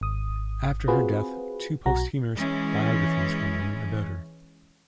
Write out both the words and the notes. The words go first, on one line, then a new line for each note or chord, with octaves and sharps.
After her death, two posthumous biographies were written about her.
G#1 D#6
C4 F4 F#4 G#4 B4
B1 F#4 A#5
E3 G#3 C#4